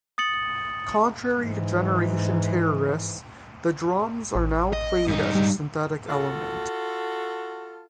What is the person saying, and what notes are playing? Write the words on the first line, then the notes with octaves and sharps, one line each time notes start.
Contrary to Generation Terrorists the drums are now played as a synthetic element.
D#6 A6 C#7 F#7
G#2 E3
A1
D#5
G2 D#4
G3
F4 F#4 A4